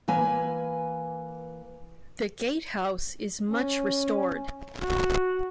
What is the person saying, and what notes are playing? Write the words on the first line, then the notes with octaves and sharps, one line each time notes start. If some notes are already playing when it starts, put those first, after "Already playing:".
The gatehouse is much restored.
E3 A#3 B4 G#5
C#4
F#4